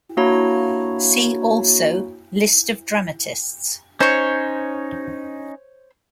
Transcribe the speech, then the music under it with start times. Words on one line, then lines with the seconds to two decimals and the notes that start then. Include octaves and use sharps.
See also: List of dramatists.
0.17 A#3 D4 E4 F#4 C#5 A#5
4.00 C#4 D#4 C5 C#5